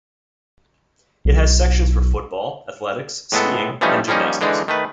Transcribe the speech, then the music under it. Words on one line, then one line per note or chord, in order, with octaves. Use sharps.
It has sections for football, athletics, skiing and gymnastics.
B1
A2 G#3 B3 A4
E3 F3 G3 A3 C#4 D#4
F3 G3 A#3 C#4 D#4
D3 E3 G#3 D4 D#4
D#3 A3 B4